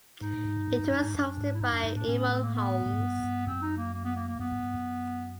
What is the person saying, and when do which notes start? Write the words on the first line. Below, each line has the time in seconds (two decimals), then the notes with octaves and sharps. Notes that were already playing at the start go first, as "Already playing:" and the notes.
It was hosted by Eamonn Holmes.
0.21 G#2 D#4
0.34 A2
0.45 G#2
0.57 G2
0.68 A2
0.79 G2
0.90 F#2
1.03 G#2
1.14 F#2 D4
1.37 G#2
1.54 E4
1.60 G2 D#4
1.72 F#2 D4
1.83 G2 D#4
1.96 A2 D4
2.07 A2 C#4
2.19 C#4
2.31 C4
2.42 A#3
2.54 B3
2.86 A2
2.93 G#2
3.00 G2
3.23 G2
3.47 F#2 C4
3.62 D#4
3.77 A#3
3.93 A#3
4.04 B3
4.16 A#3
4.28 A#3
4.39 F#2 B3
4.52 G2
4.63 G2
4.74 F#2